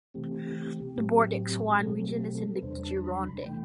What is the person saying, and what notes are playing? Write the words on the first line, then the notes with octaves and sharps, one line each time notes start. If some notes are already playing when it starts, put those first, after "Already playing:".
The Bordeaux wine region is in the Gironde.
C3 E3 A3 C4 G4
A2 F#3 C4
B2 F#3 A3 C4 A4
G4
A4
B4
E2 C3 G3 D4 C5
A5
B5
C6
B5
C3 E3 A3 G5